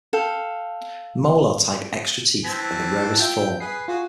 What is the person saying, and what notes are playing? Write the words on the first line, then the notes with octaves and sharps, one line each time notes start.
Molar-type extra teeth are the rarest form.
A4 F5 G5
E3 C4 A5 G#6 A#6 B6
F4 E5 G5
G#4 B4 C7
F4 F#4 G#4